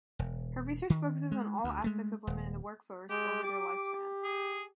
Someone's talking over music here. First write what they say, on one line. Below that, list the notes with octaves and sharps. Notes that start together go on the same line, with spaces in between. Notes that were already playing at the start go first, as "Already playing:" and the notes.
Her research focuses on all aspects of women in the workforce over their lifespan.
E1
D#3
G#3
D2
G#3 A3
D#1
G#3 G4
G4 D6
G#4